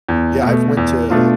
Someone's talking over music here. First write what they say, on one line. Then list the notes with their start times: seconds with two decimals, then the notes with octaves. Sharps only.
Yeah, I've went to
0.09 E2
0.43 B2 A3
0.77 E2
1.10 B2 A3 D4 F4